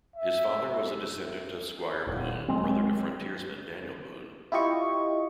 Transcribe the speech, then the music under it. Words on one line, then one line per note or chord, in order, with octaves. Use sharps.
His father was a descendant of Squire Boone, brother to frontiersman Daniel Boone.
E5
D#1
F#3 G#3 C4
E4 F4 G4 D#5 C#6